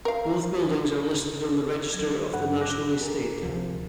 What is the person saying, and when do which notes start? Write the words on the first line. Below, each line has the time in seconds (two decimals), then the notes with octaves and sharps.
Both buildings are listed on the Register of the National Estate.
0.05 A#4 F5
1.92 F#3 G#6
2.33 G2 F#5
2.61 D6 F#6 A#6
3.01 G#4 A#4
3.43 D2 C3 F3